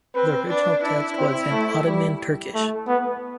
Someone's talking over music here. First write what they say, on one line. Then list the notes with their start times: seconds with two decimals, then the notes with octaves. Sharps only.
The original text was in Ottoman Turkish.
0.15 C4 B4
0.49 D4 B4
0.83 D4 E4
1.18 C4
1.51 A3
1.86 G3
2.54 A3
2.87 B3